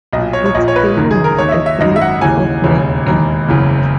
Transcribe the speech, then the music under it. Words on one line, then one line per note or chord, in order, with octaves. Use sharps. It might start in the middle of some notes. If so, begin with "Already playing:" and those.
It’s killing, a breath of night air!
B1 A#2 D#5
C#5
C#5
A#1 A#2 D#5
C#5
B4
F#1 F#2 D#3
G#4
A#4
D#2 D#3 C#5
E5
D#5
E5
G#1 F#2 D#3 D#5
E5
F#5
D#2 C#3 E3 G#5
E1 D#2 C#3
E1 D#2 D#3
F#1 E2 C#3 E3